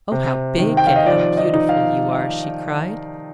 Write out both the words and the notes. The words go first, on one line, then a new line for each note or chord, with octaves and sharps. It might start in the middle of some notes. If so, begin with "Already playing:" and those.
'Oh, how big and how beautiful you are!' she cried.
C3
D#3
G5
F5
D#5
F3 D5
D#5
D#4
F5